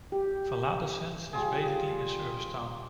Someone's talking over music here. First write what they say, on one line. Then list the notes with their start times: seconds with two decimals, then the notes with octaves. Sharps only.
Viladecans is basically a service town.
0.12 G4
1.33 G3 F4 G#4